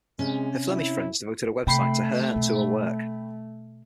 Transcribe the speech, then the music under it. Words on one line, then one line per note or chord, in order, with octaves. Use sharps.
Her Flemish friends devoted a website to her and to her work.
C3 G#3 C#4
E4
C3 A3 G5 B5 C7
B2 C4